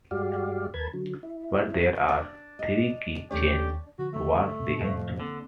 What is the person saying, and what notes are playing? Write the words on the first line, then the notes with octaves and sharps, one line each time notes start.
But there are three key changes towards the end.
G2 G#3 F#4 G4 D5 F5
D#2 A#4 B4 A5 B5 G#6
D3 F#3
E4
D4
D#5
D#2 C#3 A3 D4 G4 C#5
D3 F3 F#4
A3
A2 C3
F2
D3 A#3 C4